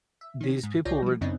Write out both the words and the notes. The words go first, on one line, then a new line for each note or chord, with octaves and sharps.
these people were
E5
D#3 C#4
G#2
C2 F4 C#5 D5 G6 A#6
F3 G3
F#2 C#3 B3 C4 D4 D#4